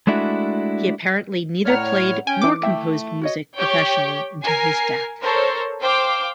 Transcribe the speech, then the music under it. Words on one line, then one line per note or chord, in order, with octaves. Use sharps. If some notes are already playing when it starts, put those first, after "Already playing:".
He apparently neither played nor composed music professionally until his death.
G#3 A3 D4 E4 F#4
A2 C#5 D5 F#5 A#5 F6
C#4 G5 G#5 G6
E3 D6
A3 E4 E5 G5
F#4 C#5 D#5
G4 C#5 G5
A#4 G#5 C7
A4 A#4 C5 C#5
C5 F5 G5 D6